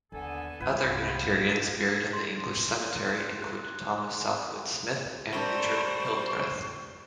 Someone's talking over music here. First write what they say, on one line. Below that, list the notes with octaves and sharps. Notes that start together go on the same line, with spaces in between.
Other Unitarians buried in the English Cemetery include Thomas Southwood Smith and Richard Hildreth.
D#2 D3 B3 A4 G#5
C2 G2 B3 F4 B4 G5 G#5
C6
F#6
C4 D4 G4 A#4 C5 B5 C#6